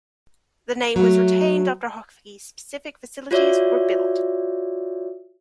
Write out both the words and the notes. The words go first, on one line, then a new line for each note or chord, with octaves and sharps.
The name was retained after hockey-specific facilities were built.
F#3 A3
F4 F#4 C#5 D5 E5